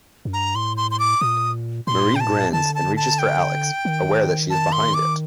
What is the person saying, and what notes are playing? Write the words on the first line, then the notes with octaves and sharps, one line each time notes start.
Marie grins and reaches for Alex, aware that she is behind it.
F#2
G2 A#5
A2 C6
C6
C6
D6
A#2 D#6
A#2 C6
G5
A5
D3 A5
A5
A5
G5
D#3
A5
C6
D6